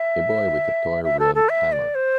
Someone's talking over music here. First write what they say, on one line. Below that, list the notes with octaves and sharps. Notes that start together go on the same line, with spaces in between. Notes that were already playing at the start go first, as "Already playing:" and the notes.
A boy with a toy red hammer.
Already playing: E5
E5
A4
A4
E5
D5
C5